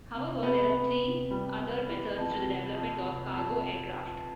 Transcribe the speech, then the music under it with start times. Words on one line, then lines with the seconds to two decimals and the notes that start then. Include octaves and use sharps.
However, there are three other methods to the development of cargo aircraft.
0.14 C3
0.43 B3
0.72 B3
1.02 C3
1.31 G3
1.59 B3
1.89 E3
2.17 F2
2.47 C3
2.76 F2
3.04 C3
3.34 F2